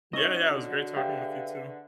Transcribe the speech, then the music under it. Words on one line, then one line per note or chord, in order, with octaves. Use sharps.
Yeah, yeah. It was great talking with you, too.
C#4 D#4 E4 F#4 C#5 D#5
D3
G4 G#4 B4 E5 F5